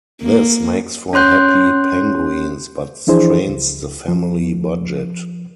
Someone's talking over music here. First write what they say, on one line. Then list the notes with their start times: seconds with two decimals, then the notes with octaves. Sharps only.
This makes for happy penguins, but strains the family budget.
0.22 A#3
1.13 C#4 C#5 C6 F#6 G6
3.07 E3 F3 D4 E4 G#4 C5
3.48 C#2
4.08 F3